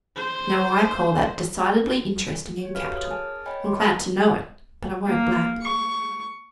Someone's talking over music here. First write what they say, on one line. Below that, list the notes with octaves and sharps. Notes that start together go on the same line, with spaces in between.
Now, I call that decidedly interesting and capital. I'm glad to know it; but I won't blab.'
C5
G4 C#5
F#4 A4 B4 E5 F5 F6
C#5 D#6
G#4 A#4 G#5 A5 F6
C#5 D#5 G5 G#5 B5
C6 D6
A#3
C#6